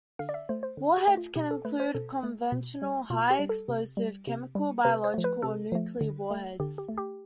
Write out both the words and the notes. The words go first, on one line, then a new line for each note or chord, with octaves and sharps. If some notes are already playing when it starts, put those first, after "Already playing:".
Warheads can include conventional high explosive, chemical, biological, or nuclear warheads.
D3 F5
D5
E5
A3 C5
C5
D3
G4
A3
F4
B2 G4
A4
A3 B4
C5
B2 A4
A3
B2
G3
B2 F4
G4
G3
A4
C3
G3
C3
G3
C3 B4
C5
F3 A3
B4
C3 A4
F3 A3
D3
A3
D3 G4
G4
A3
G4